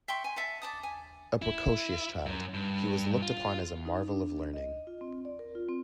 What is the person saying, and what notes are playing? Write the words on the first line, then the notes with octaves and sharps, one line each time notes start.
A precocious child, he was looked upon as a marvel of learning.
E5 G5 C6 C#6
G#5
E5 F#5 A5
D5 A5 D#6
G#5
E4
F#2
G2
F4
D#4
D4
D#5
F4
C4
D5
A#4
F4
C4